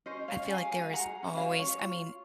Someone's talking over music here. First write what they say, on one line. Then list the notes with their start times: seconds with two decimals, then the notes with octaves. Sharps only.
I feel like there is always I mean,
0.06 C#4 C5 D#5
0.28 C#5 F5
0.35 C#4
0.49 F5 G#5
0.65 G#4
0.72 F5 G#5
0.93 G#4 F#5 A#5
1.23 C#4
1.36 C#5 F5
1.51 C#4
1.59 C#5
1.81 F4